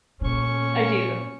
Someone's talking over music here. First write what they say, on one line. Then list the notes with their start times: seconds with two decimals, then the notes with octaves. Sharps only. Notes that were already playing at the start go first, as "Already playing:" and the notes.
I do.
0.21 A#2 C#4 C#6